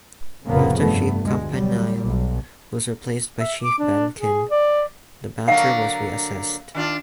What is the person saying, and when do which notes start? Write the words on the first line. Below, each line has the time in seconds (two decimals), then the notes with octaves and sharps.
After Chief Campanale was replaced by Chief Benken the matter was reassessed.
0.46 F1 A2 C#3 F3 A#3 B3
0.79 G2 A3 B3
1.24 D2 G#3
1.53 F#3 G3
2.04 B1
3.40 E5
3.62 D6
3.79 D4
4.18 G#4
4.50 D5
5.48 D3 F#3 A#3 F5 F#5
6.75 D#3 D4 F4